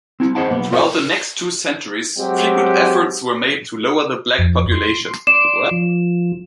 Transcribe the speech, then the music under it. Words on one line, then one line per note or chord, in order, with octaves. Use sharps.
Throughout the next two centuries, frequent efforts were made to lower the Black population.
C4 E4
G#4 C5 D#5 F#5 A5
B1 A#3 B3
F4 A4 C5 D5 D#5 F5
F#3 G#3 C4 F#4 G4
F2
C6
D5 C6 D6 E7
F3